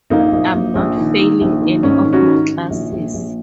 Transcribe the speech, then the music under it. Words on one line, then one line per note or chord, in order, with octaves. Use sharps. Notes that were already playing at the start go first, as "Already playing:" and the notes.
I'm not failing any of my classes.
A#1 A#3 D#4
A#1
A#1
A#1
D#3
D#3
A#1
D#3
G#2 C#4
D#3
C#4 F#4
D#3
D#3
A#1
A#1
A#1